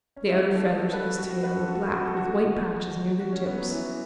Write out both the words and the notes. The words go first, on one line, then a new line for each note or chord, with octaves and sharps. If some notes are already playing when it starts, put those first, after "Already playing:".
The outer feathers of his tail were black with white patches near their tips.
C#4
E4
E4
A4
F#4
A4
B4
A4
F#4
F#4
B4
A4
F#4
F#4
A4
F#4
F#4
C#4
B3
F#3
E3